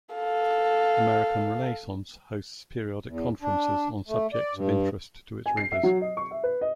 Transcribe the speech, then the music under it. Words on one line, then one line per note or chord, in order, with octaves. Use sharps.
American Renaissance hosts periodic conferences on subjects of interest to its readers.
A4 F5
E2
D4
A3
D5
G2
G#5
C7
E5
F#3
D#5
C#6
E5
B4
D#5